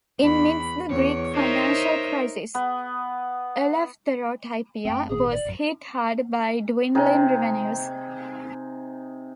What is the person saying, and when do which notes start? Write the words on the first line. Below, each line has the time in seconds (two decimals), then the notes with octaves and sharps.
Inmidst the Greek financial crisis, "Eleftherotypia" was hit hard by dwindling revenues.
0.19 E2 B5
0.88 E2 C#5
1.33 D#4 A#4 C5 C#5 D#5 E5
2.55 B3
4.85 F#2 A3 C4 G5
5.09 G#1 A#2 D#3 G#4
5.31 D5
5.45 A1 F#2
6.95 C3 D#4 G#4